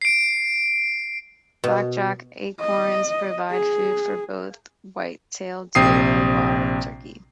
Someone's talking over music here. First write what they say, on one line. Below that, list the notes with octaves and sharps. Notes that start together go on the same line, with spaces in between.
Blackjack acorns provide food for both whitetail deer and wild turkey.
C7 D7
B2
D#5
G#4
A#1 C3 G5 D#6 C7